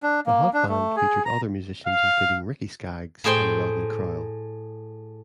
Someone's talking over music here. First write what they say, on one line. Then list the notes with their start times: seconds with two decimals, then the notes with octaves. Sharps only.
The Hot Band featured other musicians including Ricky Skaggs and Rodney Crowell.
0.03 D4
0.26 A#3
0.53 D4
0.69 A3
0.96 G#4
1.25 A#5
1.86 F5
3.24 A2 G#4 C5 G5 C6